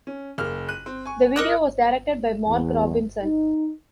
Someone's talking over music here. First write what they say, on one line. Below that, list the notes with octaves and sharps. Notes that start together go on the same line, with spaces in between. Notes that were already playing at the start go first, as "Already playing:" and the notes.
The video was directed by Mark Robinson.
C#4
F#1 A#3 F6
F#6 D#7
C4
G#5 C#6
A#4 D#5 D6 D#6 F#6 C#7
E2
D#4